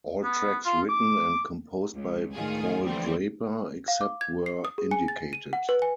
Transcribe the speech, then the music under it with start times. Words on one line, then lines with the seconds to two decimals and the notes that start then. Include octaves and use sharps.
All tracks written and composed by Paul Draper; Except where indicated.
0.24 B3
0.65 F4
0.89 D6
1.96 C#2
2.33 D2 A2 D#3 F4 G#4 G#5
2.84 D3 E3 F3 G3 A3 C4
3.88 F5
4.01 D6
4.21 G#6
4.46 C7
4.65 D#6
4.78 G#4
4.91 G#5
5.08 A6
5.33 D#7
5.53 F#5
5.69 B4
5.82 G#5